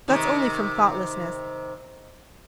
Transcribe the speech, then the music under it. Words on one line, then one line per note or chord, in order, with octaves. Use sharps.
That's only from thoughtlessness.
C3 D#3